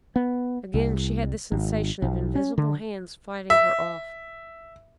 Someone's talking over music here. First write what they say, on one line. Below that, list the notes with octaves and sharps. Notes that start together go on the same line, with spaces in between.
Again she had the sensation of invisible hands fighting her off.
B3
C2
G#1
B1
C#4
D3
E5